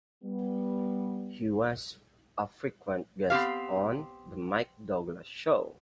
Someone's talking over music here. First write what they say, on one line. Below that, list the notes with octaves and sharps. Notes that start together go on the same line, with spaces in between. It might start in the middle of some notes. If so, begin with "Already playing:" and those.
He was a frequent guest on "The Mike Douglas Show".
G3 B3
B3 C4 G4 F5